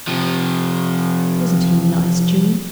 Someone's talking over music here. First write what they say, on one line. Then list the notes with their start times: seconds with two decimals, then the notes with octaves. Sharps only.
"Isn't he nice, June?"
0.07 C3 F3